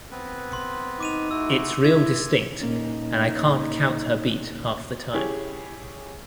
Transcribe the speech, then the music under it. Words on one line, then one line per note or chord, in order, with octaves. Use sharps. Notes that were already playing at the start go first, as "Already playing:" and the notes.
It's real distinct, and I can't count her beat half the time.
B3 C4 B4
C6
D#4 D6 D#7 F7
A3 E4 F#4 E6
E4 E5 G#6
A#2 A#3 C#4 D#4
C#4 E4 G4 G#4 C#5